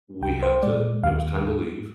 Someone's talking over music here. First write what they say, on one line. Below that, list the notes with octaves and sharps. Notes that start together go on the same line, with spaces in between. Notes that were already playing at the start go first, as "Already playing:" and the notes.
we had to it was time to leave,
C2 G5
C5
A#2 G#3 D5
D#2 F5